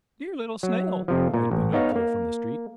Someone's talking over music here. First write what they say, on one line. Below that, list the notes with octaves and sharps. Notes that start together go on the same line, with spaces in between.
"Dear little Snail," cried Pinocchio from the street.
F#3
F2 C3 F3
A#2
A1
B3 D#4 C#5 F5 A#5
A#3